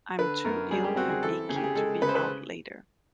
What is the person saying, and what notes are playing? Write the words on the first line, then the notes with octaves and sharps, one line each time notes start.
I'm too ill and achy to be out later.
D3 B4
F#2 A#4
G3 G#4
G4
C4 F#4
G#4
E3 A4
C#3 G#4
G4
G#4
G#3 A4
C#3 B4
C5
B4